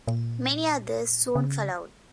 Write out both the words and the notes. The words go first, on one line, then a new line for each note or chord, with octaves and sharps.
Many others soon followed.
A#2
C#3